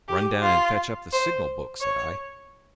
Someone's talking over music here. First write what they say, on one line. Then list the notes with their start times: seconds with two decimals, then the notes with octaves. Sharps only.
"Run down and fetch up the signal-book," said I.
0.08 G4
0.42 F4
1.12 C5
1.80 C#5